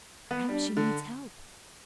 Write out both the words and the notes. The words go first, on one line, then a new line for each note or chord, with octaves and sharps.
"Perhaps she needs help."
B3
G3 D4
D3